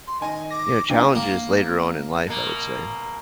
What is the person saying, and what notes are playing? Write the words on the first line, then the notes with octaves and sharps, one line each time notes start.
you know, challenges later on in life, I would say.
C6
D#3 D#5 G#5
D6 A#6
E3 A#3 D4 G5
A#3
B2 A#3